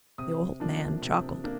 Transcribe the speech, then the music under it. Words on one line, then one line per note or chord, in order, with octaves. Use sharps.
The old man chuckled.
C3 D#6
F3 A#3 D4
C3
A#3 D4